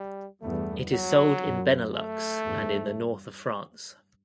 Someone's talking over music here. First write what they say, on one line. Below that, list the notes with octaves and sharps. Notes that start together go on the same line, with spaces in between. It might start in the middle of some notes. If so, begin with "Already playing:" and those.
It is sold in Benelux and in the north of France.
Already playing: G3
E2 G2 A3
F#3
F#2
A3
E2 G2